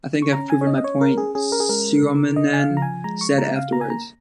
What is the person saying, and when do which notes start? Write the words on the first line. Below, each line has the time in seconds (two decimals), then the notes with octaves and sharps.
"I think I've proven my point," Suominen said afterwards.
0.22 C#6
0.33 C#4 A#5
0.50 G#5
0.61 C#5
0.67 C#4 D#5
0.77 D#5
0.84 C#5
1.01 C#4 A#4
1.18 G#4
1.35 C#4 G#4
1.52 A#4
1.60 G#4
1.69 G#3 A#4
2.03 C#3
2.36 C#3 D#5
2.53 G#5
2.60 F5
2.70 F3
2.77 A#5
2.82 G#5
3.04 G#3 A#5
3.21 C#6
3.38 C#3 A#5
3.56 F5
3.72 A#3 A#5
3.81 G#5
3.90 A#5